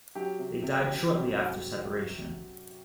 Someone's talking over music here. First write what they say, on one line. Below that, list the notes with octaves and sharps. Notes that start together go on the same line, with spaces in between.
They died shortly after separation.
F#3 G4
C3
C3
C4
F#3
C3